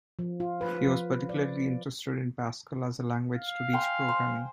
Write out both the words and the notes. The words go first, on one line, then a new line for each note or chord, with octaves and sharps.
He was particularly interested in Pascal as a language to teach programming.
F3
F4
B4
F3
D5
F5
G5 G#5 C6
C5